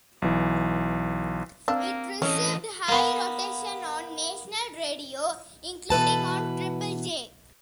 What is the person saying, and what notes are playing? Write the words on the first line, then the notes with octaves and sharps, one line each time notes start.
It received high rotation on national radio, including on Triple J.
B1 E3
A#3 C4 D4 F5 E6
E3 C#4 A4 D#5
A#3 B3
B2 E3 B4 A5